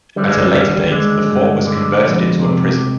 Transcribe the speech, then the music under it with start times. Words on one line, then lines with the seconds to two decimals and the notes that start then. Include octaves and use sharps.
At a later date, the fort was converted into a prison.
0.16 D3 G3
0.29 G#3
0.41 G3
0.54 D#2
0.92 D3 G#3
1.29 G2
1.67 D3
2.04 F2
2.42 C3